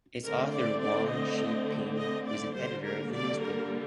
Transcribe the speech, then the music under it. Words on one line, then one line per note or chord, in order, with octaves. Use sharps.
Its author Wong Shee Ping was an editor of the newspaper.
D3 A3 C4 A#4
D5
D5
D#5
D#5
D5
D3 G3 A#3 C5
A#4
D5
A#4